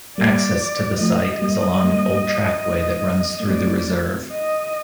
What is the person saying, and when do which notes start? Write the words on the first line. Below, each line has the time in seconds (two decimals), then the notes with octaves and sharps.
Access to the site is along an old trackway that runs through the reserve.
0.18 G3 A#3 D5
1.01 F3 A3 D#5
1.42 G3 A#3
1.83 G3 A#3
3.40 A#3
3.48 A3 C4 D5
4.31 D#5